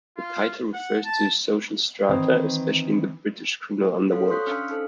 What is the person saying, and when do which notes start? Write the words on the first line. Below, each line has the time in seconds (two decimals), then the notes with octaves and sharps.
The title refers to the social strata, especially in the British criminal underworld.
0.17 F4
0.74 F#5
1.04 A5
2.09 D#3 E3 C4
4.11 F#4 A4 C5 C#5 F5 F#5
4.30 C6 C#6 D#6 F#6 G6 B6
4.47 C#4 D4 F5 E6 F6 C#7
4.69 D#4 A4 C5